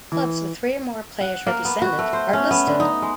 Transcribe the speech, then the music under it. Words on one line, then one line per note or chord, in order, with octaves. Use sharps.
Clubs with three or more players represented are listed.
E3
F#5
A#3
B3
F#4
A3
C5
C#4
B3
D3
D#4
G#3